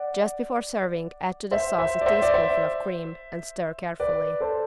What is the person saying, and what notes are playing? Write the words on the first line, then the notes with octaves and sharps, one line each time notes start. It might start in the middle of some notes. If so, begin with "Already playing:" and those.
Just before serving add to the sauce a teaspoonful of cream and stir carefully.
Already playing: D5 F#5
C5 E5
C5 E5
D5
C5 E5
D5
C5 E5
B4 D5
A4 C5